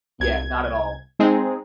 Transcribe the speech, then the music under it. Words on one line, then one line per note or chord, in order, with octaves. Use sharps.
Yeah, not at all.
C2 G#6
G#3 C4 D#4 G#4